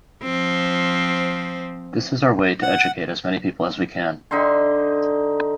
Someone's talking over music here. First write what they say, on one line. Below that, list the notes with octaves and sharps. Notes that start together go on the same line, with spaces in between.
This is our way to educate as many people as we can.
F3 C4
F#5
D3 D#4 E5 C6